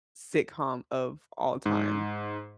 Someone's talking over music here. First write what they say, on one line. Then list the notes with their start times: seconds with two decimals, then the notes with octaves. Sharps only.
sitcom of all time.
1.66 G#2